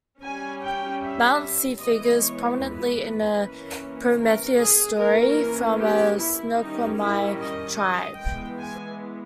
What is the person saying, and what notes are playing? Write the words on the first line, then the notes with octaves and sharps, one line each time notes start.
Mount Si figures prominently in a Prometheus story from the Snoqualmie tribe.
G3 C#4 G#5
G5
E5
E3 G#3 B3 D#5
C#5
B4
E3 A#3 C#4
A#4
G#4
E3 A#3 C#4 A#4
G4
E4
D#3 G3 C#4 D#4
E4
D#5
D#5
E3 G#3 B3 G5
G#5